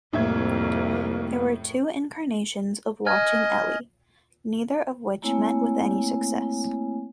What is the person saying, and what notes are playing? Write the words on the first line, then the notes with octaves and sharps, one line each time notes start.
There were two incarnations of "Watching Ellie", neither of which met with any success.
C2 F2 A2 A#3 E5 G#6
D#5 G#5 F6 G#6
A3 A#3 C4 E4 C#5 G#5